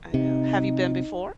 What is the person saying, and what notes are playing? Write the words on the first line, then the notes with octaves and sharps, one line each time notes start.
I know. Have you been before?
C3 D#4